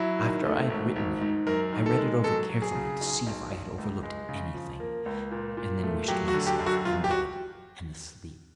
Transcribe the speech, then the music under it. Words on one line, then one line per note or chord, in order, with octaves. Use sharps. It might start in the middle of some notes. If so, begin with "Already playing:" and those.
After I had written it I read it over carefully to see if I had overlooked anything, and then wished myself in bed and asleep.
Already playing: F#3 E4
D#3
A3
G#1
G#1
G#2
F#2 A#4
D#3
A4
G#3
F#3 A4
F#3
G#4
C#3
B1
B1
B1
C#2
G#3
C#3
F3
A#3
C#2
A#2
A#2
A3
F#3 G4
F#4
D3
G4
F#2
F#4
E1 F4
G4
F#4